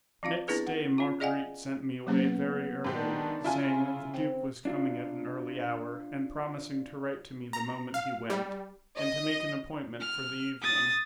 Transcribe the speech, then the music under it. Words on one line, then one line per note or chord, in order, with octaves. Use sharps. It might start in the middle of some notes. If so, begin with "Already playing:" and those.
Next day Marguerite sent me away very early, saying that the duke was coming at an early hour, and promising to write to me the moment he went, and to make an appointment for the evening.
F3 C4 F4 F5
B3 C4 D4 E4 G#4 B4
F#5
C#4 F4
G#4 D5 D#5 F5 F#5 G#5
F#3 A#3 B3 C#4
G#2 D#3 D4 G4
C#3 E4 F4 G#5
C4 G5
D4 F4
A#5
F5
G3
D#5
F6
D#6 A6